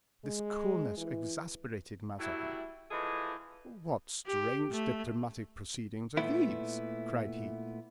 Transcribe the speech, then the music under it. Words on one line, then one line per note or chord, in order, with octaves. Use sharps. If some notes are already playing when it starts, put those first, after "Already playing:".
This coolness exasperated Mazarin. "What strange diplomatic proceedings are these!" cried he.
G#3
E3
F#3 G3 A3 E4
E3 F3 G#3 D#4 G#4 A4
G4
A3
A#2 A3 B3 E4